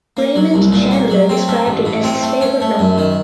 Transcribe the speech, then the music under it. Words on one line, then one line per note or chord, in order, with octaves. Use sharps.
Raymond Chandler described it as his favourite novel.
A#3
F#3
C2
A#2
A#3
F#3
C4
A3
A1
A2
C4
A3
C#4
A3
F#2
D#3